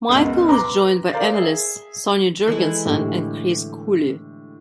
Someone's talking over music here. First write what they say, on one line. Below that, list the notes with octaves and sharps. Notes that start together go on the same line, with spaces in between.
Michael is joined by analysts Sonny Jurgensen and Chris Cooley.
C#2 F#2 B2
B4 A#5 C6 D6
A#4 C5 D5 F5
G#4 E5
E3 G#3 E4 A4
A2 D3 G4